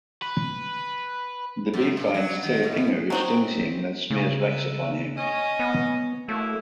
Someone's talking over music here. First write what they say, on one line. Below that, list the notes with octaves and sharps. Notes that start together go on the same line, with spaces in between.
The bee finds Telipinu, stings him and smears wax upon him.
B4
F#2
A#2
F#3
D#3
A2
D#3 F#3 C4
C#3
A#4 B4 E5
C#4 D#5
B3
F#3 A3 A#3 E4